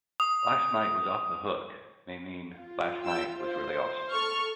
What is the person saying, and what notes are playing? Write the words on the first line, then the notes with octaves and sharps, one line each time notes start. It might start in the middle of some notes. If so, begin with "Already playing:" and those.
"Last night was off-the-hook" may mean "last night was really awesome".
D#6
F4
G5 E6
C5
A4 C#6 F6